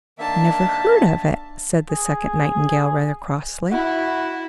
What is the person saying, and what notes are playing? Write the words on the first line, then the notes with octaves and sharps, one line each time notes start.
"Never heard of it," said the second nightingale, rather crossly.
D#3 A#3 D4 E5 A5
G#4
E4 F#4